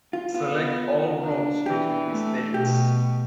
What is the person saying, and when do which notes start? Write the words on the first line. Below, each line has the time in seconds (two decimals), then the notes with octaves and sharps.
Select all rows between these dates.
0.13 F4
0.34 B3 F4
1.23 D4
1.66 E3 G4
2.11 A3
2.54 B2 G4